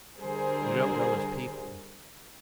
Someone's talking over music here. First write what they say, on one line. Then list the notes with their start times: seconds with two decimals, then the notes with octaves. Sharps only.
You don't know his people.
0.20 D3 G3 G#4 A#4 C5